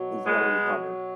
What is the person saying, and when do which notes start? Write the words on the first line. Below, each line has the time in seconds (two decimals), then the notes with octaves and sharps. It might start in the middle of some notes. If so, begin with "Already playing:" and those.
He's never recovered.
Already playing: B2 F#3
0.23 G#3 B3
0.59 B2 F#3